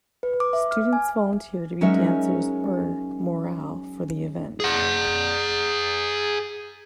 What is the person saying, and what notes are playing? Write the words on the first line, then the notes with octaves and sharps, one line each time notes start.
Students volunteer to be dancers or morale for the event.
B4
D6
E5
F6
G#5
F#3 G#3 C#4 D#4 A#4 E5
G#4 F#5